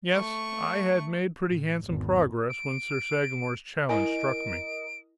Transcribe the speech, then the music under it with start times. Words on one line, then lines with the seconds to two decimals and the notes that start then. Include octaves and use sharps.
Yes, I had made pretty handsome progress when Sir Sagramor's challenge struck me.
0.15 A3 C#6
1.45 A2
1.87 G#1 E2
2.49 D7
3.89 E4 A#4 D#5 G#5 D7